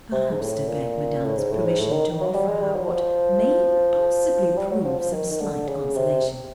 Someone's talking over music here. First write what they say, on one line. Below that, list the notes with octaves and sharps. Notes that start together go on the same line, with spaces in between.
"Perhaps to beg madame's permission to offer her what may possibly prove some slight consolation."
C3
G#2
A2
A#2
A2
G#2
A2
G#2
A2
D#3
F#3
G3
G#3
G3
F#3
F3
G3
F#3
F3
F3
D#3
D#3
D3
C#3
C3